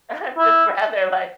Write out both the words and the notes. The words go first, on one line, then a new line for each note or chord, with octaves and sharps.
I'm just rather, like,
E4